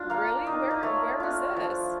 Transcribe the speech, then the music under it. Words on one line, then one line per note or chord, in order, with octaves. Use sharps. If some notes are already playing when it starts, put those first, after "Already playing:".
Really? Where where is this?
Already playing: D4 F4
A#3 F5
D#4 D#5
D5
A3 C#5
D4 F4
F3